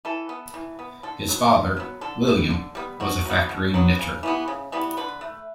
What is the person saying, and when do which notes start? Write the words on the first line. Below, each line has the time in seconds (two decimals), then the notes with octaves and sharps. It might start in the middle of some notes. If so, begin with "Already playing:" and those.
His father, William, was a factory knitter.
0.05 E3 A4
0.29 B3
0.54 E3
0.79 B3
1.03 D3 A4
1.29 F#3 B3
1.52 D3
1.77 F#3 B3
2.01 D3 A4
2.27 G3 B3
2.50 D3
2.75 G3 B3
3.00 B2 F#4
3.25 F#3 B3
3.49 B2
3.74 F#3 B3
3.99 C#3
4.23 E3 G3 B3
4.48 C#3
4.72 E3 G3 B3
4.97 D3 B4
5.21 A3